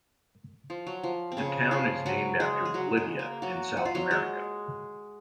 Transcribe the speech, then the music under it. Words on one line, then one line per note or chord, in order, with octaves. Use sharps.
The town is named after Bolivia, in South America.
F3
F#3
F3
C4
C#3 C#4
F3 F4
F#3 F#4
G#3 G#4
G#4
F#3 F#4
G#3
A#3
F#3 F#4
F#4
F4
F#3 F#4
G#3 G#4